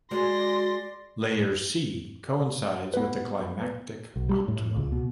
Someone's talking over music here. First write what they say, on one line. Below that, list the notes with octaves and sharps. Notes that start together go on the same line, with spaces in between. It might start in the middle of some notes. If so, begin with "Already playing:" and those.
Layer C coincides with the climatic optimum.
G#3 F#4 A#4 C5 D5 C6 A#6
B3 B4
B1
G3
A2
C#2
B2